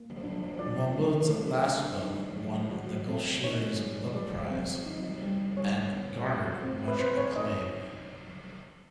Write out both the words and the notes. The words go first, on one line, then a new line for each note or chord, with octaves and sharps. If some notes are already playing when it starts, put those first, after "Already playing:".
Mahmoud's last book won the "golshiri's book prize" and garnered much acclaim.
Already playing: A#3
D4
F4 D5
A3
A3
D4
D#4
G#3
F#4
C4
D#4 C#5
G#3
G#3 D5
C4
D#4
G3
G3 C#5
B3
F#4
C4
B4
C4 C5
C#5
D#4 D#5